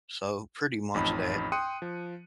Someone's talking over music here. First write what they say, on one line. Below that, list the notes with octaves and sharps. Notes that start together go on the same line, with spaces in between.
So, pretty much of that.
A1 F2 D#4 B5
G5 C6 D#6 F#6 C#7 D#7
F3